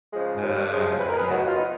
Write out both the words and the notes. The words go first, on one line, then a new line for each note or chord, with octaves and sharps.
Uh, yeah.
C#3 F3 G#3
D#2
C#3 F3 G#3
F2 B4
A#4
G#4 B4
D#3 F#3
F4
B3 D#4